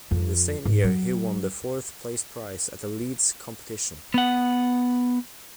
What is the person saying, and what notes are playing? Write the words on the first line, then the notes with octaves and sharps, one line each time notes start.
In the same year, he won the fourth place prize at the Leeds Competition.
F2
G#2
F#3
B3 F#5